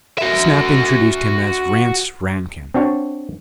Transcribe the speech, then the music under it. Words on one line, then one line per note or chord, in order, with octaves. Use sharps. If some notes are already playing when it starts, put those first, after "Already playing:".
Snap introduced him as Rance Rankin.
F#4 E5
C4 D4 F#4 C#5